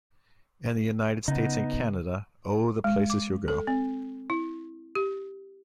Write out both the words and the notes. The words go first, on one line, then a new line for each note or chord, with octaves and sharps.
In the United States and Canada, Oh, the Places You'll Go!
C#3 B3 D#4
G#3
D6
A4
C4
E4
G4